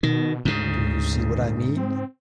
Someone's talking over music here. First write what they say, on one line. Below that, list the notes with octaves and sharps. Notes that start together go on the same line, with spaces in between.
Do you see what I mean?
B2 D#3
D2 G#2 C#3
C4